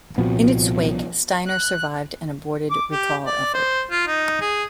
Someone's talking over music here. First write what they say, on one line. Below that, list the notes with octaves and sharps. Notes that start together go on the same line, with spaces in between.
In its wake, Steiner survived an aborted recall effort.
C2 A#2 F3 B3 C4 F#4
F#6
D6
G4
D5
C5
F4
D#4
G#4